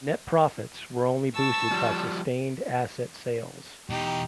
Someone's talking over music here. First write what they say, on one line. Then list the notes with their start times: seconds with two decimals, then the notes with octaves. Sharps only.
Net profits were only boosted by sustained asset sales.
1.34 A5 C#6 E6
1.72 F3 G3
3.90 E2 B2 D#4 G4